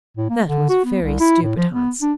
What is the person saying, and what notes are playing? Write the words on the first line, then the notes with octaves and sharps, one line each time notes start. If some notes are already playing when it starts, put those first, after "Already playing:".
'That was very stupid, Hans.
A2
A#3
D3
F#4
B3
C2
E4
A2
F3
B3
D4